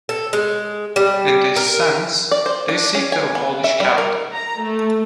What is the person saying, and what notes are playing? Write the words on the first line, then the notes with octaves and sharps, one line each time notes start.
In this sense they seek to abolish capital.
A4
G#3
G3
A#4
D5
C5
D4
C#4
G#5
B3
E5
G3
A#4
A#5
A3